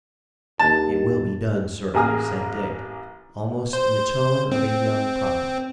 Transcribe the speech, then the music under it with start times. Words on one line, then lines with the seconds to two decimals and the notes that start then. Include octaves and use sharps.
"It will be done, sir," said Dick, almost in the tone of a young prophet.
0.59 D#2 A5
1.94 A1 A#3 G#4 D#6 F6
3.73 C5
4.52 C4